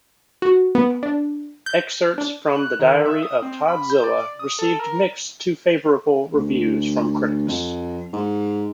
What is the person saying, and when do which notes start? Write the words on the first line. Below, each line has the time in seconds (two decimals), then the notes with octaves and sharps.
"Excerpts from the Diary of Todd Zilla" received mixed-to-favorable reviews from critics.
0.42 F#4
0.75 B3
1.03 D4
1.66 G6
2.18 D4
2.56 F#6
2.79 D#3
3.06 E5
3.22 D#6
3.42 C4
3.68 B5
3.90 G6
4.04 D5
4.39 D#6
4.59 A4
4.79 A#4
6.34 D2
7.48 F2
8.13 G#2